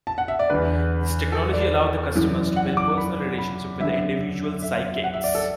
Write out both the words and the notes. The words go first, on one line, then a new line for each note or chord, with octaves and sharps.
This technology allowed the customers to build personal relationships with individual "psychics".
A5
F#5
E5
D5
E2 D3 B4
A4
D5
F#2 E3
F#5
D6
B5
B5
F#2 D3 E5
E5
E5
F#5
E5
D5
A4